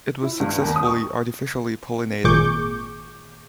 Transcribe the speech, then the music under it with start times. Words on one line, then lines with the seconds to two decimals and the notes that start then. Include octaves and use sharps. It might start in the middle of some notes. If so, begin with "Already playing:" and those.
It was successfully artificially pollinated.
0.23 E4
0.40 G2
0.62 D#2
0.76 D#6
0.87 C#6
2.24 G#1 A#2 G#4 C#6 D6 G6